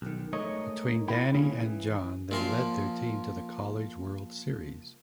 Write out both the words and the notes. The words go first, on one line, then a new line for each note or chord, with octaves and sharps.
Between Danny and John they lead their team to the college World Series.
B1 D#3
G#3 A3 D#4 A#4 C#5 D#5
E4 F4 G5 B5
C3 A#3 C#4 G#4
E3
A#2 F3 C6